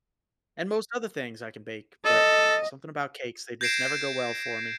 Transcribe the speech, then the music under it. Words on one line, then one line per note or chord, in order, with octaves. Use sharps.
and most other things I can bake, but something about cakes, they just never go well for me.
A4 D#5
G6 G#6 A#6 C7 D7 E7